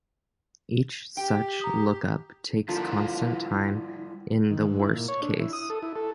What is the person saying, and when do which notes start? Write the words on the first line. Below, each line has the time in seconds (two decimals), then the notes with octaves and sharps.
Each such lookup takes constant time in the worst case.
1.17 G4 G5
1.61 A#5 D#6
2.69 D3 F3 G3 A#3 E4 F4 A5
4.51 D#3
4.67 G#2
4.80 E4
4.94 A#2
5.08 C#5
5.22 D4
5.39 E4
5.53 D#6
5.70 A4
5.82 E4
5.96 A4